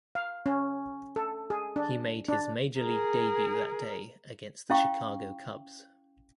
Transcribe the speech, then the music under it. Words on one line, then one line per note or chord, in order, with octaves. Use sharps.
He made his major league debut that day against the Chicago Cubs.
F5
C#4
A4
G#4
D4
D4
G#4 A#4
C#4 E4 F5 G5 C#6